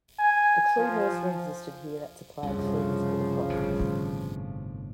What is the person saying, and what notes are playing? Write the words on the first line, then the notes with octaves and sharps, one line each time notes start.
A tree nursery existed here that supplied trees for the province.
G#5
F3
C2 F#2 C#3 F3
G1 A2 C3